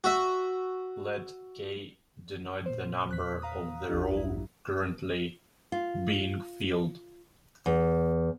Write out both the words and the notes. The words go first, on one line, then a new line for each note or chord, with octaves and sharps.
Let "k" denote the number of the row currently being filled.
F#4 E5
A#2 C5
E2 F#6 B6
F5 A#5 D#6
A1 E2 D4 F4 G4
A1 G2 F#3 E4
F4
E2